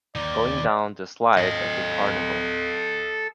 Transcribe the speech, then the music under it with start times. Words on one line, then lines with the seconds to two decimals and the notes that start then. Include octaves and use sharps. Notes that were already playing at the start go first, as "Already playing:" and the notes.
Going down the slide at the carnival.
0.16 D#2 D#3 D5
1.37 A4 D#5